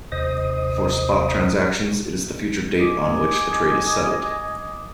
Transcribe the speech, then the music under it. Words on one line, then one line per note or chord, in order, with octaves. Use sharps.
For spot transactions it is the future date on which the trade is settled.
D#2 C3 C5 D#5 D#6
D#5 G#5 D6